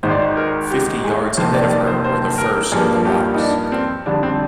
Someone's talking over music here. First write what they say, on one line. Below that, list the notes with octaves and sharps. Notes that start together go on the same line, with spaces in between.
Fifty yards ahead of her were the first of the rocks.
G#1 G#2 D#3 C5
D5
C5
A#4
G4
G#4
F1 F2 D#3 A#3 C5
D5
D5
C5
C5
A#4
G2 F3 A#3 G#4
G4
D#4
D4
C4
F2 D3 G3 D4
C4